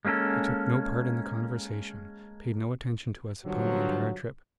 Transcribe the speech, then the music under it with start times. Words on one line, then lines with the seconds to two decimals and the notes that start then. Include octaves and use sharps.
He took no part in the conversation; paid no attention to us upon the entire trip.
0.05 G#3 A#3 C#4 E4 A4
3.45 G2 D3 F3 F#3